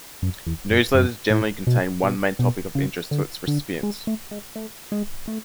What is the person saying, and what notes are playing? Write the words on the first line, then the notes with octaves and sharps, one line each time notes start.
Newsletters generally contain one main topic of interest to its recipients.
F#2
E2
F#2
F#2
A2
B2
B2
B2
C#3
D3
D3
G#3
A3
G#3
A3
G#3
A3